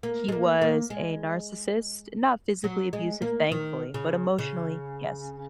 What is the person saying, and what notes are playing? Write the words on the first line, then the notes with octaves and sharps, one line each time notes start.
he was a narcissist. Not physically abusive, thankfully, but emotionally, yes.
A#3
G#3
A#3
A#3
G#3
F#3
G#3
A#3
D#3
C#3
C#3